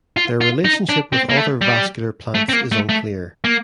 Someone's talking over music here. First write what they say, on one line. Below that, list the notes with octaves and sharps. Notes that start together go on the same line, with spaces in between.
Their relationship with other vascular plants is unclear.
F4
F4
D#4
D4
C4
A#3
A3
G3
A3
C4
A#3
A3
A3
A#3